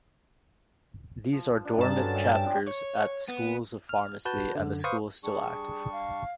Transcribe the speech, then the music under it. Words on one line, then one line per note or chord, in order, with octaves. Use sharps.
These are dormant chapters at schools of pharmacy, and the school is still active.
F3
D4 D#4
G2 G#4 A#4 A5
D3 F#3 C#4
D#5 E5 G5
F3 C4 D4
C#5
B3
F6
F#4 B4 A5 G6
F#2 D3
B4 C5 F5 C#6 D#6
G3 D4 G#4 C#6
F5